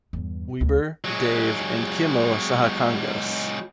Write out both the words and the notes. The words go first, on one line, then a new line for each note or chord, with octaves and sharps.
Weber, Dave, and Kimmo Sahakangas.
E2 G2
D2
F#3 G#3